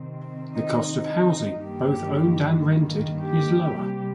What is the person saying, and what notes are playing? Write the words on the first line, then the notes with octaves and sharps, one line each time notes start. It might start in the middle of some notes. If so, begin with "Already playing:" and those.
The cost of housing, both owned and rented, is lower.
Already playing: C3 D#3 C4
D#4
D#4
G2 D#3 A#3 G4
G4
C3 G3 A#3